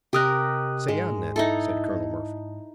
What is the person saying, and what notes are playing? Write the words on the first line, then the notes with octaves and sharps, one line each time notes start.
"Say on, then," said Colonel Murphy.
C3 G4 A#4 D#5 D#6 F#6
G#2 G#3
D#4 E4 A4